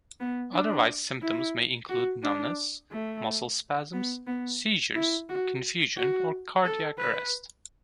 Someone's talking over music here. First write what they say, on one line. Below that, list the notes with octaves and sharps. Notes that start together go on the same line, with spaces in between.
Otherwise symptoms may include numbness, muscle spasms, seizures, confusion, or cardiac arrest.
B3
D4
E4
F#4
D4
A3
B3
B3
E4
F#4
F#4
A4
B4